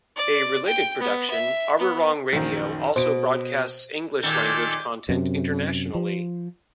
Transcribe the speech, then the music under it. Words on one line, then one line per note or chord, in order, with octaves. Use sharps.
A related production, Arirang Radio, also broadcasts English-language content internationally.
D5
G5
B3
E5
B3
A#1 F#2 D#3
B2 C5 D7
A#2 D#3 A4 D6 G6
F#2 C3
F3